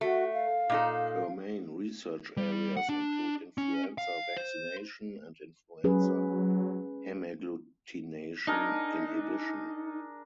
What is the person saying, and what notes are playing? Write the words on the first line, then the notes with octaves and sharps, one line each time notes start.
Her main research areas include influenza vaccination and influenza hemagglutination inhibition.
A3 F#4
F5
A#2 D#4 A4
G3
F#5
D4
C#4
F5
C5
F#3 C#4 G#4 B4
D4 D#4 G#4 A#4